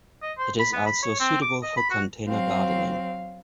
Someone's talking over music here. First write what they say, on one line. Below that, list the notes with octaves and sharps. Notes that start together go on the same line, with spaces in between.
It is also suitable for container gardening.
D#5
C5
B5
B3
B5
C#5
C4
D6
D#5
B5
F#4
F#3 C4 F5